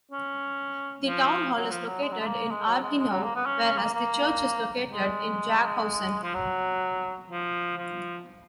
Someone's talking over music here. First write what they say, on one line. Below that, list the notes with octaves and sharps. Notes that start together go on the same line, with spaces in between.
The town hall is located in Argenau, whereas the church is located in Jaghausen.
C#4
F3
F#3
F3
F#3
G#3
F#3
G#3
A#3
G#3
F#3
G#3
G#3
F#3
A#3
B3
C#4
C#4
A#3
A#3
G#3
F3
F#3
F3
F3